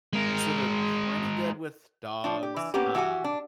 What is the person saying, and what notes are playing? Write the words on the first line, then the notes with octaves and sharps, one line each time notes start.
so they're pretty good with dogs. Um,
G#3 A#4
F3 D4
G4
E3
A#3 B3 C#4 G4
E3 F#4 G4 G#5
D4